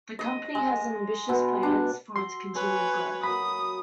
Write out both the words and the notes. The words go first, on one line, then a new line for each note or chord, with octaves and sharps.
The company has ambitious plans for its continued growth.
D#5
G#3
B2
D4
F#4 C6 E6
B4 C#5 G#5
F#3 A#3 F#5 B5 D#6